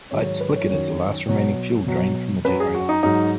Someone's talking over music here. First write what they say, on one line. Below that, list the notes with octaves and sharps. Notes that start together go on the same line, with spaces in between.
Lights flickered as the last remaining fuel drained from the generator.
G#2 D#3 F#3 C#5
C#5
B4
C#5
F#2 D#3 F#3 C#5
B2 F#3 C#5
B2 F#3
F#2 F#3 B4
G#4
F#4
D#4
G#2 F#3 D#4